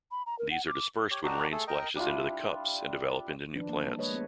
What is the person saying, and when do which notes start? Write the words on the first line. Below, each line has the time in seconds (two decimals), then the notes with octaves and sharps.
These are dispersed when rain splashes into the cups and develop into new plants.
0.11 B5
0.26 A#5
0.39 A#4
0.51 F#5
0.67 D6
1.11 G4 C#5
1.24 D4 D#4 F#4 G4
1.52 A3 G#4 A4
1.68 A#4 D#5 G5
1.96 G3 D4 E4 F4
3.56 D#3 F3 D4 B4
3.69 A#3
3.85 G3 A#3
3.99 G#3 A#3 B4 C#5 D#5
4.14 A3 B3 E4